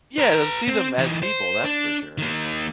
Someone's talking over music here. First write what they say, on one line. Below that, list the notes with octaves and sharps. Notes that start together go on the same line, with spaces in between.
Yeah, they'll see them as people, that's for sure.
B4 A#5
C4
E3 D#4
C5
D4
D#3 A#3